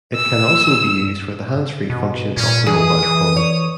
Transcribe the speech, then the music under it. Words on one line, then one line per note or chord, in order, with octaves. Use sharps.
It can be also used for the handsfree function of the mobile phone.
E6
B2
A#2 C#4
E3 G#4 D#6
E3
C#5